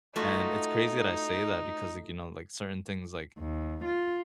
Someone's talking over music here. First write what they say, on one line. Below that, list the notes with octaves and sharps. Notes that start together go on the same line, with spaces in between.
and it's crazy that I say that because, like, you know, like, certain things, like
A3 D#4 F4 F#4
D#2
F4